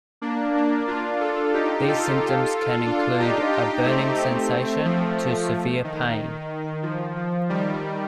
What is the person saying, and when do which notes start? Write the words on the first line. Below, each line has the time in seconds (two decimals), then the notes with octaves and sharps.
These symptoms can include a burning sensation to severe pain.
0.22 A#3 D4
0.54 A#3 D4
0.87 D4 F4
1.20 F4 A4
1.53 D#4 G4
1.87 F4 A4
2.86 D4 F4
3.19 D#4 G4
3.52 D#4 G4
3.85 A3 C4
4.84 F3 A3
5.84 D#3
6.83 F3
7.16 F3
7.49 D#3 G3